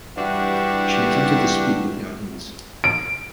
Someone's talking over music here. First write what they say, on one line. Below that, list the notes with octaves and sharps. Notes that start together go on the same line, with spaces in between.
She attempted to speak with the audience.
G2 E3 D4 F#4 G4
D7